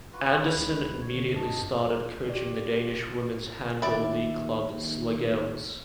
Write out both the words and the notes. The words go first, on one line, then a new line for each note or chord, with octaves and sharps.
Andersen immediately started coaching the Danish Women's Handball League club Slagelse.
F4 F#4 B4
B4
C#2
C#5
D3
G2 D4 D#5 A5
G4 D5
D#2 E4 D5
D#2